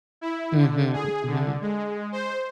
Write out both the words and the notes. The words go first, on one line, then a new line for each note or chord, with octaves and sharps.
Mhm, mhm.
E4
D3
G#4
D3
G#3
C5